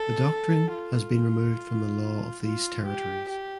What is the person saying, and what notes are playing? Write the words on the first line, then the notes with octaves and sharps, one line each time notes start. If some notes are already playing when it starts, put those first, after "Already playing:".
The doctrine has been removed from the law of these territories.
Already playing: A4
F4
F4
G4
G4